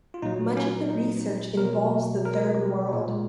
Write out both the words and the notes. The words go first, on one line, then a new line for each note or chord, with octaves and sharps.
Much of the research involves the Third World.
F4
A#2 F#3 D#4
C#4
D#4
B2 F#3 A#4
A#4
A#2 G#3